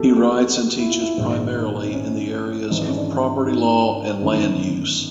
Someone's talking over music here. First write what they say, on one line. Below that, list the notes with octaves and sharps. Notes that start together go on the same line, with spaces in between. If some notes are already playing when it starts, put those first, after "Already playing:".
He writes and teaches primarily in the areas of property law and land use.
Already playing: B1 B2 G4 A4
G4
F#4
E4
F4
E4
A#1 G#2 D#3 E4
E4
D#4
C4
C#4
G#1 G#2 E3 D#4
D4
C#4
D4
D#4
D4
G1 F#2 D#3